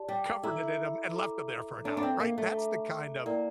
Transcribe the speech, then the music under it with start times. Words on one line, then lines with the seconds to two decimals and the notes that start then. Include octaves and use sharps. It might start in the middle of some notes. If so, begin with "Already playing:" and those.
covered it in 'em, and left 'em there for an hour." Right? That's the kind of,
Already playing: G4 D5 A5
0.08 G3
0.43 E4 A4 E5 A#5 D6
1.14 A4 E5 A#5 D6
1.84 D4 A4 E5 A#5 D6
1.97 D4
2.03 C4
2.20 A#3
2.38 A3
2.55 A4 E5 A#5 D6
3.26 A#3 E4 A#4 D5 G5 A#5